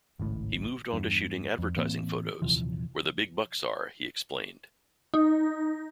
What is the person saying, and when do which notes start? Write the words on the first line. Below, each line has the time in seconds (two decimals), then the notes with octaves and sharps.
He moved on to shooting advertising photos, "where the big bucks are," he explained.
0.20 G#1 C#2 A2
0.93 E2 G2
1.59 F2
1.76 A2 E3 A#3 C4
2.42 D#1 C3 E3 F3
5.14 D#4